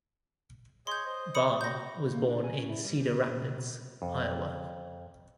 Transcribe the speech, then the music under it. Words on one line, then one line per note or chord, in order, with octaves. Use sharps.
Barr was born in Cedar Rapids, Iowa.
G#4 C#5 D#5 C6 G6
C5 D#5
B5 D#6 C#7
F#4 G6 A#6
A#3
D4
G#5
C#4
E4
G3
G4
B2
A#2
C3
B2
F2